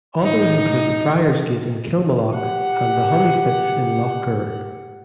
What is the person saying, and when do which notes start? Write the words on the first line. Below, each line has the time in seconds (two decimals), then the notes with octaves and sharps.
Others include the Friar's Gate in Kilmallock and the Honey Fitz in Lough Gur.
0.20 A2 D#4
2.33 G4 F#5